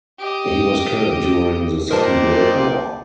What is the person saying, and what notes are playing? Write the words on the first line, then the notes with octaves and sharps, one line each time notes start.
He was killed during the Second World War.
G4 D#5
A#2 A#4 C5 D5 D#5 G5 A5